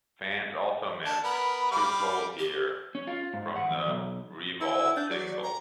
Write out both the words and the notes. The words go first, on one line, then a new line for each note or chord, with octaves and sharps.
Fans also missed "Too Cold Here" from the "Revol" single.
D4 A5
B3 A#4 B5
G3 F5 D6
G4
C#4
F4
G#2
F#5
E2
B1
E4 E6
D4 G6
F#3 D5
A#5